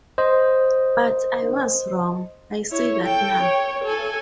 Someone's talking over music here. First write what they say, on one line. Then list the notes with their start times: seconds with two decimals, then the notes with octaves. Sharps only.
But I was wrong — I see that now.
0.18 C5 D#5
2.71 E4 C#5
3.03 A4 G5
3.41 C#5
3.84 A4 G#5